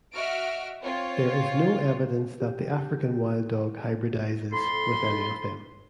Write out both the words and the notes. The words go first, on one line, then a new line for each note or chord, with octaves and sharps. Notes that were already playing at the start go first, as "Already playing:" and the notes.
There is no evidence that the African wild dog hybridizes with any of them.
F#4 D#5 E5 F6 D7
C4 F4 C#5
G4
F2 A4 B5 C6